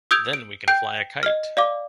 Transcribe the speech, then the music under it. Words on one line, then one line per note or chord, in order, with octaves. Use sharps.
Then we can fly a kite.
D#6 E6 G6 G#6 D7 F7
D7
G5 G6 D7
D#5 F6
D5 F5 D6